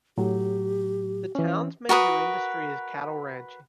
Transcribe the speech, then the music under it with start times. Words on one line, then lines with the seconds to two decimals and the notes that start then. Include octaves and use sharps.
The town's major industry is cattle ranching.
0.18 A2 F#3 G4
1.35 E3 C#4
1.89 F#4 A#4 B4 D#6